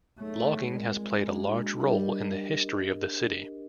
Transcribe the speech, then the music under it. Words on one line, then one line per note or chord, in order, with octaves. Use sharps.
Logging has played a large role in the history of the city.
F#3 A3 B3 D#4 G#4 C#5
G3 G#3 C4 F4 A#4 D5
A#3 D4 F#4
G3 D4 G4 A#4 D#5